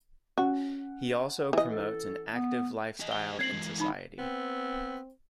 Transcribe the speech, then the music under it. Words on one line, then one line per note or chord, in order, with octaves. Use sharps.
He also promotes an active lifestyle in society.
C#4 F#4 F#5
E3 D#5
A4
B3
G4 D#5
G7
C4 C#4 G#6 C7 F#7
G#2 E3
D#4 B5
B3 C4